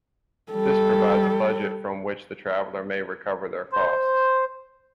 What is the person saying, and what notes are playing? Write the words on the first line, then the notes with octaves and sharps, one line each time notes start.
This provides a budget from which the traveller may recover their costs.
G3 A4
C5